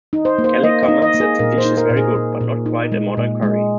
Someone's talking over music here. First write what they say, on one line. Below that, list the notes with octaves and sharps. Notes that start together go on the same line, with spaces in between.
Kelley comments that The dish is very good, but not quite a modern curry.
D#4
C5
A#3
C5
A#3 D#5
D#5
D#4
D#5
A#3
G#4
A#2 A#4
C5
D#4
A#4
A#2
G#4
A#2
A#2
D#4
G#3
A#2
G#3